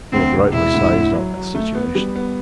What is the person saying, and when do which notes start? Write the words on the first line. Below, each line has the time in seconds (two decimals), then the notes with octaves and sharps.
He had rightly sized up the situation.
0.12 D2 C4
0.33 C3
0.52 E1 E4
0.74 D2
0.93 A2
1.13 F#3
1.34 F#3
1.55 A3
1.75 B3
1.95 G3
2.16 B3